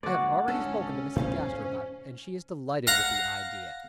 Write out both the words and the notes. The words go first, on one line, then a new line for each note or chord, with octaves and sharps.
I have already spoken to Mrs. Gaster about it and she is delighted with the idea.
D3 G#3 A#3 F#4 D5
D1 G#3 C#4 D4 A4
D2 G#2 C3 C5 F5 G#5
F5 F#5 A#5